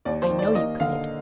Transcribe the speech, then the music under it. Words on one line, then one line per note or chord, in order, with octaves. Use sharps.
"I know you could."
D#2 D5
C5
D#3
D5
A#3 D#5
D3 F5